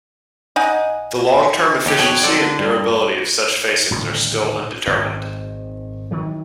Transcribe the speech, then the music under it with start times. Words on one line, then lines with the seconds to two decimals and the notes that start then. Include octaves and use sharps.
The long-term efficiency and durability of such facings are still undetermined.
0.56 D#4 D#5 F#5 G#5
1.86 D#2 G4
1.98 F2 B2 B3 C#4 C#5 G5
2.23 F#3 C4 A4 D5
2.37 D3
2.59 G2
3.91 D#1 A2 D3
4.87 G#1 G#2 D#3 C4
6.11 D#3 E3 F#3